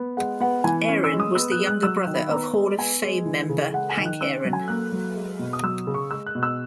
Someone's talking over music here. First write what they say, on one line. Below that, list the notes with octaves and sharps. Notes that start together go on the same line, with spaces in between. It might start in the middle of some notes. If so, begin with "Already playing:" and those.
Aaron was the younger brother of Hall of Fame member, Hank Aaron.
Already playing: B3
G#3 F#5
B3 F#5
E3 G#5
C#4
E6
G#3
D#6
B3 E6
F#6
G#3
F#6
F#3 E6
D#3
B5
B3 A#5
G#3
B3 G#5
G#3
E3
C#3
G#3 F#5
G#5
D#3
F#6
C#4 E6
F#3
G#5
A#3 F#6
F#3
G#3
B2
D#6
F#3 E6
C#3
C#6
G#3 E6
F#6
B2
E6